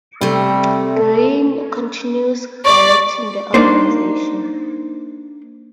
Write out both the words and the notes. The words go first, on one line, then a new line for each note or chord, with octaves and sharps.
Greene continues directing the organisation.
C3 G3 A3
A4
D5 C#6
A#3 D4 D#4 C5